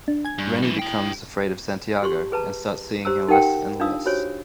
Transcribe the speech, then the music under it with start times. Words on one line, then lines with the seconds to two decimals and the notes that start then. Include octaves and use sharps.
Reny becomes afraid of Santiago and starts seeing him less and less.
0.08 D4
0.25 G#5 G#6
0.38 G2
0.62 F#2 E3
0.79 E4 G5
2.03 G4 C6 C#6
2.32 G#4 B4 A5 A#5
3.05 G4 C5 A#5 E6
3.28 D#4 G4 A#4 F#5 G5 C6
3.80 D4 D#4 F4 F5 D#6 E6
4.06 F#4 G4 C5 C#5 G#5